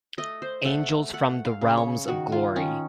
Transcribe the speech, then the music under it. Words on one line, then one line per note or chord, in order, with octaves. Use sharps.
Angels from the realms of glory.
A3 D#5
C5
A3 F#5
A3 F#5
F5
C#3
C#5
D#3 F#4
F4
D#3 C#4